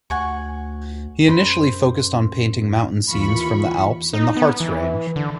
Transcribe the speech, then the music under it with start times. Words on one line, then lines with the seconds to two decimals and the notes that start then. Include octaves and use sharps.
He initially focused on painting mountain scenes from the Alps and the Harz range.
0.10 D2 F#5 G#5 C#6
1.28 F#2 C5 B5 C6
3.08 D#2 E3 F4 B5 C#6
4.13 D#4
4.37 B3
4.60 E3
5.16 D3